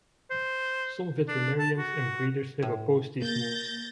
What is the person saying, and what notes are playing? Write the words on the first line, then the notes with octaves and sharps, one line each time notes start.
Some veterinarians and breeders have opposed these moves.
C5
D4
A5
F#4
A2
A#3 G6 A6 A#6